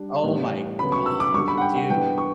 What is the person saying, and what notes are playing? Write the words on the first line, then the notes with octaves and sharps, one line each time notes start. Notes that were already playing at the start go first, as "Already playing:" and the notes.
oh, my god, dude.
Already playing: G3 D4
A2 E3 G3 B3
D2 C#3 F#3 B3 B5
C#6
E6
D6
G2 D3 G3 C#6
B5
F#5
G5
F#5
G2 E3 B3 D4 G5
C#6